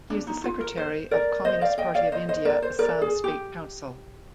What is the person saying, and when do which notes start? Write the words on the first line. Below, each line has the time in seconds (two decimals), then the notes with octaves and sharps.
He is the Secretary of Communist Party of India Assam State Council.
0.10 D4
0.27 D#4
0.44 F4
0.61 A#4
0.77 C5
1.11 A#4 D5
1.45 C5 D#5
1.61 D5 F5
1.78 D#5 G5
1.95 D5 F5
2.12 C5 D#5
2.29 C5 D#5
2.45 A#4 D5
2.62 C5
2.79 A#4 D5
3.02 G#4
3.24 G4